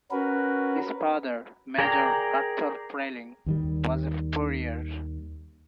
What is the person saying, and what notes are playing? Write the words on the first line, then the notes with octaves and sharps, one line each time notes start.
His father, Major Arthur Frayling, was a furrier.
C#4 F#4 A#4 B4
G#4 A#4 D5 G5 A#5
D#2 D#3 G3